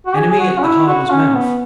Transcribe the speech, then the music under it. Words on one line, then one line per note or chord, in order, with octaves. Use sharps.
Enemy at the harbour's mouth.
F#4
G#4
G#4
F#4
C#4
E4
F#4
C#4
B3